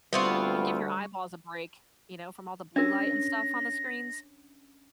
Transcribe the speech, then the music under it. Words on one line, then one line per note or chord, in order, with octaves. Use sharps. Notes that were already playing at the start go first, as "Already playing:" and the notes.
and give your eyeballs a break, you know, from all the blue light and stuff on the screens.
D2 G3 B3 C4 F4 C#6
C#4 D4 A#4 A#6